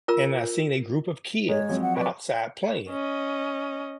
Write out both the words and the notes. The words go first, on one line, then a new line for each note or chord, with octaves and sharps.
and I seen a group of kids outside playing,
F4 A#4 A#5 E6
G#2 C#5
F3 F#3 C4
F#5
B4 D5 C#6
C#4 D#5